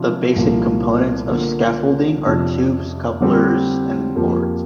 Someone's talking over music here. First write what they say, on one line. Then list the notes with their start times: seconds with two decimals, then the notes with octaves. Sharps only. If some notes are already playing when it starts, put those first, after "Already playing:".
The basic components of scaffolding are tubes, couplers and boards.
Already playing: C3 F3 D4 F4
0.36 C2 A#2 F3 A#3
1.30 D3 A#3 F4
2.25 F2 C3 F3 D4
3.20 D3 G3 C4 G4
4.15 F2 F3 A#3 G4